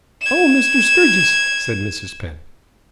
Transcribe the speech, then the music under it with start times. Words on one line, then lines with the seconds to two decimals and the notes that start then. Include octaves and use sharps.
"Oh, Mr. Sturgis," said Mrs. Pett.
0.21 G#6 E7